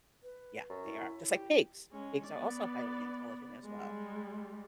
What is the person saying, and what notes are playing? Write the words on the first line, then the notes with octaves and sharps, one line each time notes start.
Yeah, they are, just like pigs. Pigs are also highly intelligent as well.
B4
F#2
E4
G4
G#3 C#4
B3 D5
G3 G#3